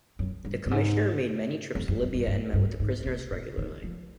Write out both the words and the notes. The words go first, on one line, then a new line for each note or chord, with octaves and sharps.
The commissioner made many trips to Libya and met with the prisoners regularly.
F#2
G2
G2
G#2
F2
F#2
F#2
G2
G2
G2
G#2
A2
A#2
D#3
F3